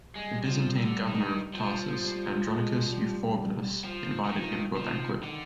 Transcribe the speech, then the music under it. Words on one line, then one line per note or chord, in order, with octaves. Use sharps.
The Byzantine governor of Tarsus, Andronicus Euphorbenus, invited him to a banquet.
G3 G#3
F3
D3
D#3
F3
G3
G#3
G3
F3
D3
D#3 F3
D#3 F3
D3